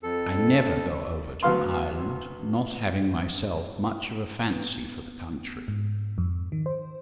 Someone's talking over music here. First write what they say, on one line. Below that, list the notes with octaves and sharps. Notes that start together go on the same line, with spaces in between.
I never go over to Ireland, not having myself much of a fancy for the country.
F2 A4
D2 F#3 B3 F5 C6
B3
G#2
F2
D#3
C5